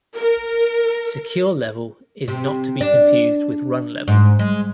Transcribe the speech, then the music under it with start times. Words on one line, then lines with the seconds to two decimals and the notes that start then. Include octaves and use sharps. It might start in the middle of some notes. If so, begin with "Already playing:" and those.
Securelevel is not to be confused with runlevel.
0.16 A#4
2.28 C3
2.81 D4
4.08 G#2
4.39 G#3